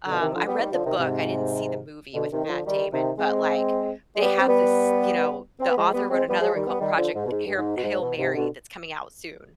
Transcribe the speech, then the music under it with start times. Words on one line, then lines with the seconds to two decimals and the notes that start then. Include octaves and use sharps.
um, I read the book, I didn't see the movie with Matt Damon, but, like, they have this you know, the author wrote another one called Project Hair Hail Mary that's coming out soon.
0.07 B2 D3
0.20 C3 D#3
0.33 D3 F3
0.46 G3 B3
0.59 D#3 G3
0.72 D3 F3
0.85 C3 D#3
0.98 G#2 C3
2.14 B2 D3
2.31 C3 D#3
2.44 D#3
2.48 D3 F3
2.66 D#3 G3
2.92 C3 D#3
3.18 G#3 C4
4.16 G#3
4.21 G3 B3
4.39 C4
4.47 G3 B3
5.60 C4
5.68 B3
5.76 F3 G#3
5.93 G3 B3
6.10 G#3 C4
6.28 G3 B3
6.40 F3 G#3
6.53 D#3 G3
6.67 G3 B3
6.79 D#3 G3
6.97 D3 F3
7.14 G#2
7.26 B2
7.31 G#2
7.46 G2
7.58 G#2
7.76 B2
7.83 G#2
8.01 B2
8.17 G#2 C3
8.35 B2 D3